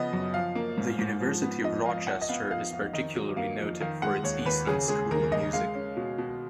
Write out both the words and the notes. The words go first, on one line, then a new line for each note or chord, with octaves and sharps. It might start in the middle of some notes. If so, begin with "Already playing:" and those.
The University of Rochester is particularly noted for its Eastman School of Music.
Already playing: C#3 F3 B3 D#5
F#2
F3 F5
A#3
G#2
G#2
F3
B3
F2 D#5
F2 F5
F3 F#5
D#5
B3 F5
F2 F5
F2 F5
D#3 D#5
F#3
A#3 F5
F2
D#3 F5
G#3 F#5
D#2 C#5
D#2 B4
C#3 G#4
G#3 G#4
D#2 A#4
D#2 D#5
G#3 F5
C#4
B2
B2